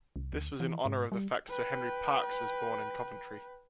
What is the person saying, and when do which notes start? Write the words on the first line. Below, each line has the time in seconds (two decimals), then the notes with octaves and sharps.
This was in honour of the fact Sir Henry Parkes was born in Coventry.
0.16 C2
0.33 D2
0.60 E3
0.85 G#2
1.12 G3
1.49 B4 G5